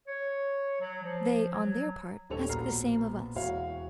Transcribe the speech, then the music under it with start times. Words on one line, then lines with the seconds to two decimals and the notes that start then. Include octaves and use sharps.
They, on their part, ask the same of us.
0.08 C#5
0.80 F#3
1.03 F3
1.51 F#3
2.29 D#1 D4 G4 A4 C#5 F7
2.49 A#1 B2 B3 A#5 F6 C7
3.35 E1 F#4 C#5 F5